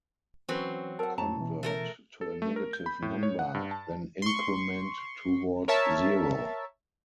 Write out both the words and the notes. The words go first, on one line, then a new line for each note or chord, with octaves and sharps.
Convert to a negative number, then increment toward zero.
E3 F#3 C4 C#4 B4
A#4 F#5 A5 E6
F2 C#4 A5 A#5
B2 E3
A3 A4 A#4
A4
A3
A#4
G6
B5
A2
C#5
F#5
G2
A5
C6 C#6
A#4 C#5 E5 A5